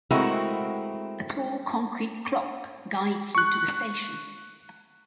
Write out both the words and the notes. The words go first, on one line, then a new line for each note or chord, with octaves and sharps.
A tall concrete clock guides you to the station.
G#3 A3 C4 E4 F#4 A#4
C#6 F#6